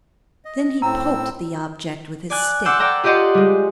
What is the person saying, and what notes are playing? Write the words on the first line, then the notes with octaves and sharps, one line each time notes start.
Then he poked the object with his stick.
D#5
A2 C4 A#5 E6
D5 G#5 F#6
F#5 C6 D6 E6 F#6 G6
D5 F#5 G5 A#5 E6
F4 G4 D5 D#5 F#5 C6
G3 G#3